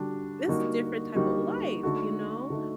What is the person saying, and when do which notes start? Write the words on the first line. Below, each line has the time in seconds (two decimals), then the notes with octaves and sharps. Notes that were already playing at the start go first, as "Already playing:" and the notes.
this is different type of life, you know."
Already playing: D3 G3 D4 F#4
0.48 D3 G3 A#3 D#4 F#4
1.16 D3 G3 A#3 D#4 F#4
1.83 D3 A3 D#4 F#4
2.50 D3 A3 D#4 F#4